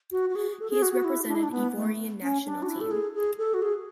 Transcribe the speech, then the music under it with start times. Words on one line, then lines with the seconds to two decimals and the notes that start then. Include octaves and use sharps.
He has represented Ivorian national team.
0.12 F#4
0.30 F#4
0.35 G#4
0.60 A4
0.70 G#4
0.82 F#4
0.93 F#4
1.04 E4
1.28 D4
1.35 E4
1.43 D4
1.52 B3
1.76 A3
2.22 C#4
2.46 D4
2.62 F#4
2.68 E4
2.81 A4
2.91 G#4
3.15 G#4
3.39 A4
3.54 F#4
3.62 G#4